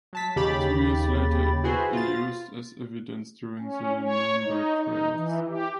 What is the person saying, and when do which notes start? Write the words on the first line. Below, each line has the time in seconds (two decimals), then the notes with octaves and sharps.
Two years later it would be used as evidence during the Nuremberg Trials.
0.13 F#3 A5 B6
0.36 D#2 C#3 G4 B5 A6
1.64 E4 F#4 G#4 B4 C5
1.93 F4 A6
3.60 C#4
4.02 C#5
4.43 D#4
4.79 D#4
5.13 E3
5.48 G4